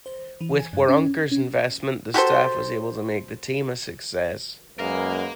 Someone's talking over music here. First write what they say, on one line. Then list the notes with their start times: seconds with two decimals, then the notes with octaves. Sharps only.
With Waronker's investment, the staff was able to make the team a success.
0.06 C5
0.41 E3
0.59 G#5
0.73 G2
0.88 C#4
1.14 G#6
1.31 C#4
2.14 F#4 G4 A4 C5
4.79 F#2 G#3 A#3 A#4 B4 F5